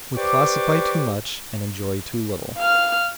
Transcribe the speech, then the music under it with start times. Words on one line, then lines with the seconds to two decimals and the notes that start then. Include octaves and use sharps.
We classify too much and enjoy too little.
0.15 G4 B4 C5 D5 C#6 D6
2.57 F5 F6